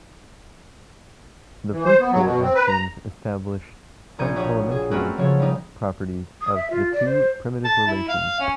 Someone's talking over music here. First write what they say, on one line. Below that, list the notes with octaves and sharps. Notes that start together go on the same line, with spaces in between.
The first four axioms establish some elementary properties of the two primitive relations.
E3
C5
B3
F#3
B2
C4
B4
A#5
A#1 A#5 G6 G#6 C#7 D#7
F#4 G4 C#5 D#6
G#4
A3 C4 C#4 F#4 A#4 B4
C#3 F3 A3 C#5
G3 D#4
D#6
E5
F4
D5
C5
A5
E4
F5
C#4